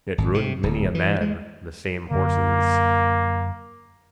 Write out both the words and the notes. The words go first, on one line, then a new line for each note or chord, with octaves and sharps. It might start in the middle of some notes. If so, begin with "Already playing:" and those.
It ruined many a man, the same horses.
G#1
C3
D1
E3
G#3
F#2 D3 A#3